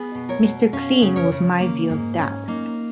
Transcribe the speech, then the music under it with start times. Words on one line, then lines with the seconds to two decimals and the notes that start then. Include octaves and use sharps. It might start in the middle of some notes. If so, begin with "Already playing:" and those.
'Mr Clean' was my view of that.
Already playing: B3 G#4
0.15 B2
0.29 A#4 C#5
0.44 B2
0.73 C#4 C#5 F5
1.02 C#3
1.16 A#4 C#5
1.32 C#3
1.60 A#3
1.90 G#2
2.18 C#4
2.48 A#3 D#4